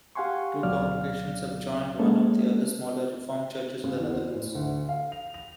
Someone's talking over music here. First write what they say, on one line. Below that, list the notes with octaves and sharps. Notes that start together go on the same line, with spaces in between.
Two congregations have joined one of the other smaller Reformed churches in the Netherlands.
G4 F5 F#5 G#5 C6 C#6
D2 B2 F#3 D5 F5 F6
G#3 A#3 C#4 A4
C#3
E2
C5
A2
D2
F5
F7
F7